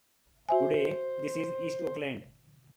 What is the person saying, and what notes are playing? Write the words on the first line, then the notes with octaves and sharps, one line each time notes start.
Today this is East Oakland.
F#4 C5 E5 G#5